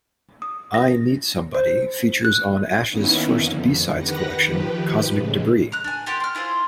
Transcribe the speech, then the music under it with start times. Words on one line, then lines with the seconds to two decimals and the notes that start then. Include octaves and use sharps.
"I Need Somebody" features on Ash's first B-sides collection, "Cosmic Debris".
0.42 D#6
0.74 A#6
1.55 C5
2.25 F#6
2.89 D#3 A#3 B3 C#4 D#4 E4
3.36 F2 D3
3.97 D#3 G4 B4 F#5 A#6
4.43 D#3 F3 G4 B4
5.13 A2 C#3 G#3
5.72 A#5 F#6
5.84 D4 G#5
6.06 F4 G4 A#4 F#5
6.20 C6 F6
6.35 E4 F4 G#4 C5